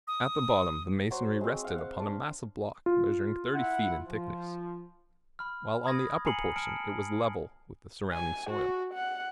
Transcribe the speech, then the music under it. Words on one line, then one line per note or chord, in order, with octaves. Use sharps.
At the bottom the masonry rested upon a massive block measuring thirty feet in thickness, while on the upper portion it was level with the surrounding soil.
D#6
F#3 F#4 C5
G#3 C4
F5 F#5
F5
D4
F4
E4 F#5
F3
B5 F6
B5 D#6 G#6 A#6
G#5 A#5 C7 C#7 F#7
A5 F6 C#7 D7
G#5
F#4
F#5